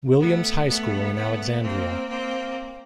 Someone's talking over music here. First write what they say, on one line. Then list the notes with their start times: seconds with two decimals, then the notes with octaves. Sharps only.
Williams High School in Alexandria.
0.20 A3 B3
0.68 A3 B3
1.15 A3 B3
1.62 A#3 C4
2.10 A#3 C4